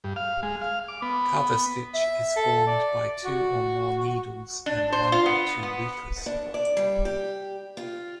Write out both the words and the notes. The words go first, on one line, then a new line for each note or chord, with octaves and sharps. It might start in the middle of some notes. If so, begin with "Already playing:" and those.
Coverstitch is formed by two or more needles and one or two loopers.
G2
F5
G#3
F5
D6
B3
E5
A4
D5
F#4
D4
C5
F4
B3
B3
D4
D5
G3
G4
F4